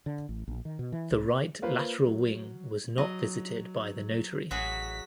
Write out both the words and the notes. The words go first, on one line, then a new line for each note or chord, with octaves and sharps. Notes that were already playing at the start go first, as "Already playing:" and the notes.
The right lateral wing was not visited by the notary.
D3
A1
A#1
D#3
B2
E3
C2
A#3 F4 B4 C5
F#3
F#3 D#5
A1 F#3 F#4 G#4 B6